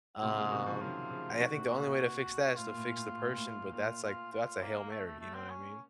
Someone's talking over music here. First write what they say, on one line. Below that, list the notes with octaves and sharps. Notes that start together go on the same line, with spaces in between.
Um, and I think the only way to fix that is to fix the person, but that's, like, that's a Hail Mary, you know what I mean?
A2 C3 F4
A#2 C#3
C3 D#3 F#4
C#3 F3
D#3 F#3 F4
C#3 F3
F3
C3 D#3 F#4
A2 C3
A#2
C3
A#2
A2 F4
A#2
A2
A#2
A2
A#2
A2
A#2
A2
A#2 F4
F4
F4
A#3
A3
A3
A3
C4
C#4